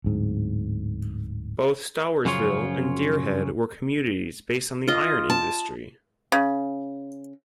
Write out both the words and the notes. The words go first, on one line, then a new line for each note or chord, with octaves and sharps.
Both Stowersville and Deerhead were communities based on the iron industry.
D1 G#2
F#2 C#3 F3 F4 C#5
F4 D#5
A5
C#3